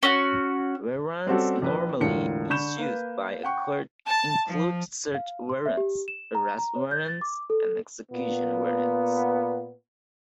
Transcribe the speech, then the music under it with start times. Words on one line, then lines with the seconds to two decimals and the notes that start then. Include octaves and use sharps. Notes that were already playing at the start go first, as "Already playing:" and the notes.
Warrants normally issued by a court include search warrants, arrest warrants, and execution warrants.
0.03 C#4 F#4
1.27 G3 C4 C#4 F#4 G4 A4
1.62 A#1 B4
2.00 E1 A2 D3 F4 A#4 C#7
2.50 D3 B5 C#6 G6 E7
2.77 A#3 B4
3.43 F#5 G5 C#6
4.07 A5
4.48 F3
5.15 F5
5.49 C6
5.66 E5
5.77 G4
6.08 E7
6.35 A#5
6.58 A#5
6.76 C#5
6.91 G6
7.08 A6
7.21 D6
7.50 A4
8.12 A#2 B3